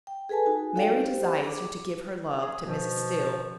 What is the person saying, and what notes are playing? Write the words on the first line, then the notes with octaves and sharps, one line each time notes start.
Mary desires you to give her love to Mrs. Still.
G5
G#4 A4 B4 G#5 A5
D#4 F#4 G#5
F#4 A4 C#5 F5 G5
G4 C5
G#4 D6
G#4
B2 F3